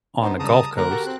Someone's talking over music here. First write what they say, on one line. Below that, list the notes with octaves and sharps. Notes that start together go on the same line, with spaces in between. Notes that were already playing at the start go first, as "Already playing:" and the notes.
on the Gulf Coast,
B3 D4 D#4 C5
C#3 G3 A5 A#5 D#6
D3 A#3 A#4 A#5 F#6
F#4 G4 A4
C4 F#6